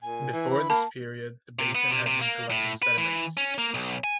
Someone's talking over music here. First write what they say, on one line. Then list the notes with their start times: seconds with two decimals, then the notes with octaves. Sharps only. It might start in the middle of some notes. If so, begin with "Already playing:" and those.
Before this period the basin had been collecting sediments.
0.02 A#2 G#5
0.33 E3
0.51 B5
0.70 A#3 A5
1.59 C3
1.75 B3
1.90 C3
2.06 C3
2.21 A#3
2.50 A2
2.83 B4
2.98 E3
3.37 C#4
3.58 A#3
3.74 B1
4.04 G#5